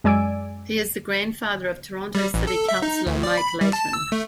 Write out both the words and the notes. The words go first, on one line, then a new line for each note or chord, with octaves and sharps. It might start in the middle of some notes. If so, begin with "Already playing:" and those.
He is the grandfather of Toronto City Councillor Mike Layton.
F#2 G#3 D5 G#5 E6 D7
G3
A1
A4
E5
D#4
D2
D5
B5
G3
A5
E6
A3